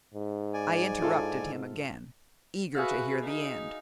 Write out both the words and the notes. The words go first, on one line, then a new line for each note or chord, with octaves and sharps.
I interrupted him again, eager to hear the end.
G#2
D5 G#5
E4 F4 A4
F#4 G#4 B4 E5 F5
D#4